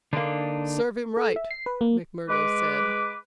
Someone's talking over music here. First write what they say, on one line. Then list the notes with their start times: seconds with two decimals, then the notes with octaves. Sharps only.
"Serve him right," Macmurdo said.
0.13 D3 A#3 D4 D#4
1.17 A4
1.36 E5
1.51 C7
1.66 B4
1.81 A#3
2.29 G#3 B4 D6